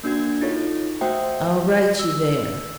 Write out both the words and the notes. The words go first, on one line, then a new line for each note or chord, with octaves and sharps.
"I'll write you there."
A#3 D4 F#4 G#6
D#4 F4 A4 C#5
A3 F#4 C5 E5 G5
E6